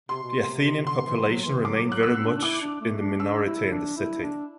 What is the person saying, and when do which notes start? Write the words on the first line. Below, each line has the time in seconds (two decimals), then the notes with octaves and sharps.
The Athenian population remained very much in the minority in the city.
0.09 C3 C6
0.23 B2
0.36 C3
0.87 D3 C6
1.06 E3
1.25 F#3
1.45 E3
1.65 F#3 D6
1.84 F#3
1.92 F#6
2.03 B3 E6
2.18 C4
2.23 D4
2.37 D4
2.42 E4 D6
2.61 D4
2.81 A3
3.01 D4
3.19 D4 E6
3.46 E4
3.71 D4
3.97 E4
4.23 D4